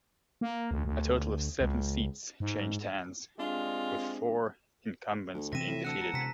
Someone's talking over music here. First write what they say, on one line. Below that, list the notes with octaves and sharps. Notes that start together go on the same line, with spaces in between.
A total of seven seats changed hands, with four incumbents being defeated.
A#3
D2
D2
C#2
G#2
G#3 C4 D4 F4 G4
D2
C3 E3 C4 E5 A#6 D#7 E7
A2
D2 F#5 A5 E6 F#6
E1 A#5
C3 A#5 B6